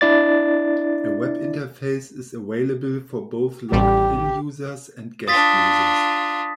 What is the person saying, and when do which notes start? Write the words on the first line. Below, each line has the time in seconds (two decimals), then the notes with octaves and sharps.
A web interface is available for both logged in users and guest users.
0.01 D4 E4 D5 A6
3.72 A1 G3 G4
5.28 D4 F4 D#6 A6 B6